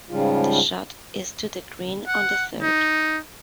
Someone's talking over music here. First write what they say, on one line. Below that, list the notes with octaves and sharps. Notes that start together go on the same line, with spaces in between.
The shot is to the green on the third.
G#2 C#3 F3 G3 F4
F#5
D#4